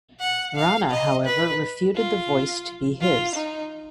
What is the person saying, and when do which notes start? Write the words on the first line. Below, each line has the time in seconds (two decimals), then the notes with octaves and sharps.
Rana however refuted the voice to be his.
0.20 F#5
0.56 F5
0.91 D#5
1.25 B4
1.96 F4
3.01 F4
3.35 D#4